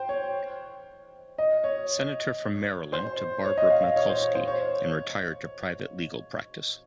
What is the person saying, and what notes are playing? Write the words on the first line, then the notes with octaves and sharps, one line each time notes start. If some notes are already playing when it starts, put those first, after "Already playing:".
Senator from Maryland to Barbara Mikulski and retired to private legal practice.
Already playing: C5 G5
C#5
D#5
C#5
C5
C#5
D#5
F5
D#5
C#5
C5
C#5
C5
C#5